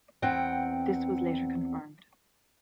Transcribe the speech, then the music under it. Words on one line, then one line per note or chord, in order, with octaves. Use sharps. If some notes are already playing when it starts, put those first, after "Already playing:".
This was later confirmed.
E2 C4 F#5 G5